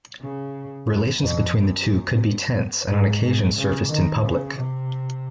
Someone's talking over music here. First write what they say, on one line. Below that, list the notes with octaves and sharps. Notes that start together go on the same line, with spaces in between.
Relations between the two could be tense, and on occasion surfaced in public.
C#3
F#2
F2
F#2
G#2
G#2
C#3
D#3
C#3
C3